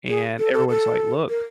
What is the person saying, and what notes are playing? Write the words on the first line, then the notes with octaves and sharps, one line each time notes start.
and everyone's like, "Look,
G#4
A4
A4
A4
A#4